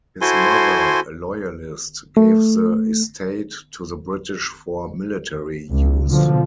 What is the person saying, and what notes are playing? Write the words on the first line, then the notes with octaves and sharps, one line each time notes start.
His mother, a loyalist, gave the estate to the British for military use.
E4 F#4 A4 C5 G#5 C6
A3
C#2
B2 D3 F3